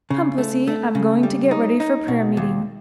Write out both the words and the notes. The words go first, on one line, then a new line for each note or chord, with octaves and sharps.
Come, pussy, I'm going to get ready for prayer meeting.
C#3
A3
A3
C#3
G3
D#4
D#4
B2
D#2